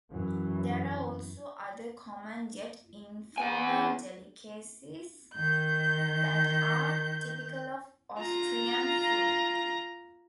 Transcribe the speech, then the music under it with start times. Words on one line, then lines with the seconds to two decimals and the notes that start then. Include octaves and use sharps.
There are also other common yet informal delicacies that are typical of Austrian food.
0.12 F#2 E3 F#3
3.38 E2 G#5
5.35 D#3 G6
8.19 F4 A#5